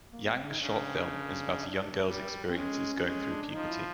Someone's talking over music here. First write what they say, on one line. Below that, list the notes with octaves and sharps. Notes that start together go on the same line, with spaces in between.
Yang's short film is about a young girl's experiences going through puberty.
A#3
B3
C4
D4
D#4
C#3 D4
G3
C4
G#3 C#4
G#3 C#4
D4
F3 D#4
E4